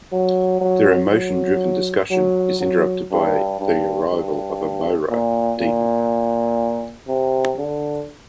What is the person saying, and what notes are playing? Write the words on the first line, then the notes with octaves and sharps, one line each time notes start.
Their emotion-driven discussion is interrupted by the arrival of a Mohra demon.
F#3
F#3
F#3
F#3
F#3
G2
G2
G2
A#2
A#2
C3
D3